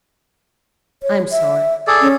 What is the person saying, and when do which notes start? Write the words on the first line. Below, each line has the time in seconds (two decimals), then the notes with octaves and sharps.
I'm sorry.
1.03 C#5
1.32 E5
1.87 G#4 A4 D5
2.01 C#4